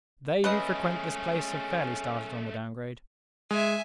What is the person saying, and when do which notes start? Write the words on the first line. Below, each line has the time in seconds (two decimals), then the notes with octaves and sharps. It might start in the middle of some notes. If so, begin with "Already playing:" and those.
They who frequent this place have fairly started on the down grade.
0.44 G#3 A3 C#4 B4 D#5
3.51 G#3 E5 G#5